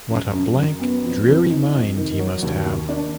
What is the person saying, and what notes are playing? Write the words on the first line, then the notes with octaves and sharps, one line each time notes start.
What a blank, dreary mind he must have!
F#2
F#2
F#2
B3
F2
F2
D#4
F2
D#3
F#3
D#2
D#2
D4